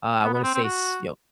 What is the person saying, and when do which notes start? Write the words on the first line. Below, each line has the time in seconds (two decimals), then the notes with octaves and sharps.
uh, I wanna say, s you know,
0.24 B3
0.34 B3
0.44 C4
0.55 C4
0.64 F#4